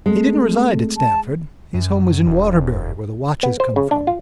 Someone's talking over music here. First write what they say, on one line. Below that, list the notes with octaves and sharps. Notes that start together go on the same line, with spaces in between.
He didn't reside at Stamford; his home was in Waterbury where the watches come from.
G#3 A3 C4 A4
A5
F#2
E1
B3
C5
C#3
D4
F4